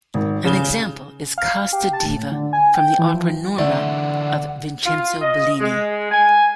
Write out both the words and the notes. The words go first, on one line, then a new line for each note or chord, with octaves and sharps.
An example is "Casta diva" from the opera "Norma" of Vincenzo Bellini.
G#1
C#3 G7
F5
G4
A5
A2
D3
G#5
G5
E3
F3
D3 E3 A3 D5 F#5
F4
D#5
G#3
G#5